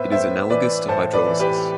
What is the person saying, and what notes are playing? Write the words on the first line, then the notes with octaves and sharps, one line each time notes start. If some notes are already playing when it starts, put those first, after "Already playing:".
It is analogous to hydrolysis.
Already playing: A2 B3 B4 C5 E5
A2 C5 E5
E3 B4 D5
A2 A4 C5
B4 D5
E3
G4 B4